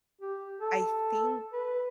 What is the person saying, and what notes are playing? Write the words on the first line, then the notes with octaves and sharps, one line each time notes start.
I think
G4
A4
B4